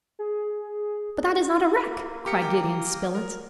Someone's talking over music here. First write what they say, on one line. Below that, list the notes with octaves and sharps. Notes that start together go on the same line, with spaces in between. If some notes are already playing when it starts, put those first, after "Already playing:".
"But that is not a wreck!" cried Gideon Spilett.
G#4
A#3
A#3 G4 A#4 D#6 C#7
G5 D6
A#4